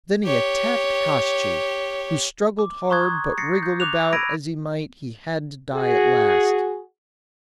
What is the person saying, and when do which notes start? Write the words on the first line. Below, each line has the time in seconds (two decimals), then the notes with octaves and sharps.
Then he attacked Koshchei, who struggled hard, but wriggle about as he might he had to die at last.
0.24 G4 C#5
2.59 D6
2.90 A#5 C6 C#6 D#6 F#6 G#6
3.38 A6 A#6 C7 C#7
3.63 G6
3.80 D6 F#6 F7
4.13 B5 E6 G#6 A#6 D7 D#7
5.75 F#4 G#4